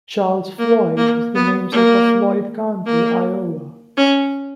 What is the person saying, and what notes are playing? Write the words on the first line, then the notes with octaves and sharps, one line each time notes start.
Charles Floyd is the namesake of Floyd County, Iowa.
A#3
A#3
B3
A#3
A#3
C#4